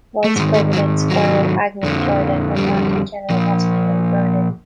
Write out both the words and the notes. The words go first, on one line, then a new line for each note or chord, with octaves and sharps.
Vice-President Spiro Agnew died at Atlantic General Hospital in Berlin.
A3
G#2 D#3 G#3
A3
F#3
F#3
F2 D3 F3
G3
A#2 F3